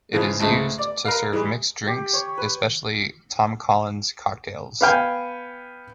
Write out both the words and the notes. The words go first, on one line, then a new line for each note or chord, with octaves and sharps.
It is used to serve mixed drinks, especially Tom Collins cocktails.
C#3 E3 F3 G#3
C#2 G#2 G#3 A3 E4 A5
D5
A#4 B4 F5
E3 G3 G#3
G4
C#5
B4
B3 F5 G5 G#5